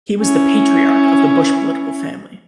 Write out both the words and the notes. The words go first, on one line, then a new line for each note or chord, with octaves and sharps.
He was the patriarch of the Bush political family.
C#4 E4